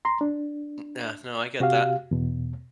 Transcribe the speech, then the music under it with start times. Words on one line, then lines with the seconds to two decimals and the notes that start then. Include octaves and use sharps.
M uh, no. I get that.
0.05 A#5 C6
0.21 D4
1.60 C3 F#4 G4 F5
2.11 E2 B2